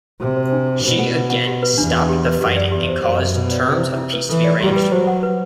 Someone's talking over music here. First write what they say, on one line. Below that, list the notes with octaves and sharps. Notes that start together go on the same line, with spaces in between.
She again stopped the fighting and caused terms of peace to be arranged.
C3 F#4
C5
D4
G4
B2 C5
F#5
B4
F#5
G4
B4
E2 D4
F#4
G4
B4
F#2 G4
D5
E2 G4
C5
F#2 C5
E5
B2 B4
D5
C3 B4
E5
E4
B4
E3 A4
D5
G3 G4
B4
F#3 C5
F#5
B4